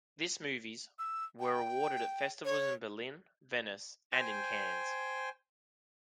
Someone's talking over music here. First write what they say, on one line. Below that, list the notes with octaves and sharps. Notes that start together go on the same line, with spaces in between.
This movies were awarded at festivals in Berlin, Venice and in Cannes.
E6
G5
C#5
C5 G5 G#5